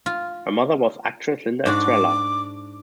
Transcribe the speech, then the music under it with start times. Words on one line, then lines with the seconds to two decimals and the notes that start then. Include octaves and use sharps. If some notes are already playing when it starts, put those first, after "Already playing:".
Her mother was actress Linda Estrella.
0.06 F4
1.66 G#2 D4 F#4 D6